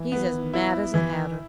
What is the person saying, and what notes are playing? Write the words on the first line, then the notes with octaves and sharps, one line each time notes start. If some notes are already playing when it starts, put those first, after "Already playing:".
He's as mad as a hatter.'
Already playing: E3
B3
E4
E3